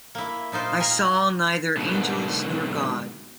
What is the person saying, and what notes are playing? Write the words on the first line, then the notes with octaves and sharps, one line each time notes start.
I saw neither angels nor God.
A#3 E4
A#2 D#4 F4 C5
A#4 G#5
G#2 B2 D3 D#3